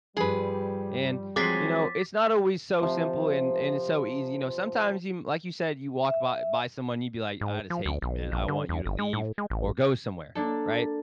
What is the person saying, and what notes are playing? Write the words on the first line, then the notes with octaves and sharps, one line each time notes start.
and, you know, it's not always so simple and and it's so easy, you know, sometimes you, like you said, you walk by by someone, you'd be, like, "I just hate you, man. I want you to leave or go somewhere," right?
G2 F3 G3 G#4 B4
F3 F#3 G#3 C4 G#4 D6 A6 B6
C3 F3
E5
G#2
F3
D2
B1
A#1
D3
E2
G1
G#3
A2
G#3
A1
A#3 D4 A4